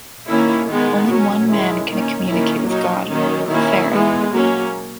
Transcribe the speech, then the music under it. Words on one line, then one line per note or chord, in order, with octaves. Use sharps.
Only one man can communicate with God, Pharaoh.
D#3 A#3 C#4 E4
D#3 G#3 B3
F#3 C#4 F#4
D#3 G#3 C#4 E4
D#3 A#3 C#4
D#3 A#3 C#4 E4
F#3 C#4 D#4
D#3 F#3 A#3 C#4
D#3 A#3 C#4 E4
E3 G#3 B3
F#3 A#3 C#4